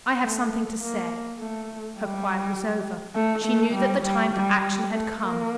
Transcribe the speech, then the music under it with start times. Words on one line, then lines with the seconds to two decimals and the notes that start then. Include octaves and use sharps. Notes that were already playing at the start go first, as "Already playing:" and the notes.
"I have something to say." Her quiet was over; she knew that the time for action had come.
0.22 A3
0.80 A#3
1.39 A3
1.98 G3
3.15 A3
3.45 A3
3.74 G3
4.03 G3
4.33 G3
4.91 A3
5.21 A#3